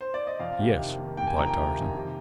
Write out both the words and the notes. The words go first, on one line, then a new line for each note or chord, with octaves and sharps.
"Yes," replied Tarzan.
C5
D5
D#5
F2 F5
C3
D#3
A#3
A#3 G5
G#5
F2 A#5
G5
C3
D#3
C3